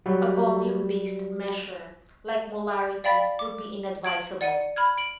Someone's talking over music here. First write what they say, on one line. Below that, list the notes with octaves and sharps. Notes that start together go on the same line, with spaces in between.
A volume-based measure like molarity would be inadvisable.
F#3 G3
D5 F5 G5 B5 A6 B6
D6
G#6 D7 F#7
D5 F#5 C#7 D#7
B5 F6 G#6
D7 F#7